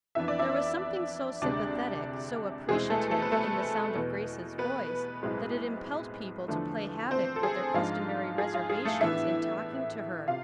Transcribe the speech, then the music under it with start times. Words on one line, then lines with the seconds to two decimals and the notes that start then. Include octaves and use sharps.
There was something so sympathetic, so appreciative, in the sound of Grace's voice, that it impelled people to play havoc with their customary reservations in talking to her.
0.15 F2 E3 B3 D4 E5
0.28 D5
0.39 E4 E5
1.42 D2 C3 G#3 D4 D5
2.69 E2 B2 G#3 C4 E4 G#4
2.90 A3 A4
3.11 A3 A4
3.22 B4
3.32 A3 A4
3.95 E2 B2 B3
4.58 B3 B4
5.22 B1 A2 G#3 C4
6.48 E2 D3 F3 A3 D4
7.11 C4 C5
7.36 A4
7.43 G#4
7.74 G#2 F3 G#3 D4 F4
8.38 G#4
8.54 F4
8.70 G#4
8.85 A3 A4
9.01 A2 E3 B3 D4 E4 E5
10.28 C3 F4 F5